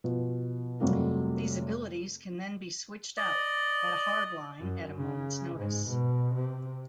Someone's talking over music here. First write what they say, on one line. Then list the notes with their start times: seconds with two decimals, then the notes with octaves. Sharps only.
These abilities can then be switched out at a Hardline at a moment's notice.
0.04 B2 F3
0.80 F2 C3 F#3 G3 A3 A#3
3.17 D5 D#5
4.60 F#2
4.97 C#3
5.57 G#2
5.88 B2
6.35 C3